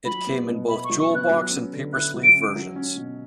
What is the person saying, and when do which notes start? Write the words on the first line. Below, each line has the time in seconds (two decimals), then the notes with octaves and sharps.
It came in both jewel box and paper sleeve versions.
0.05 F#3 B5
0.27 B3
0.48 B2
0.68 E4 B5
0.84 C#6
0.89 F#3
0.99 C#6
1.10 B3
1.15 F#6
1.30 F#3
1.51 C#4
1.73 D3
1.93 E4 F#6
2.14 F#3
2.24 D7
2.34 C#4
2.55 F#3
2.76 C#4
2.96 B2